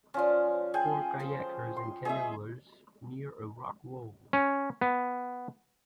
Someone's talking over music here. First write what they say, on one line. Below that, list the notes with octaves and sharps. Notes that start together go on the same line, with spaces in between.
Four kayakers and canoers near a rock wall.
F3 C#4 D4 C5
G#4 G5 G#5
F3 A4 C5
C6
G#4 C#5 D#5 E5
C#4
B3